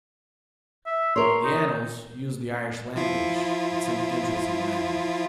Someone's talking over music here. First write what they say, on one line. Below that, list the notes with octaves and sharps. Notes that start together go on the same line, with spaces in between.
The Annals used the Irish language, with some entries in Latin.
E5
A#4 C#5 C6
D#4
F3 E4 F4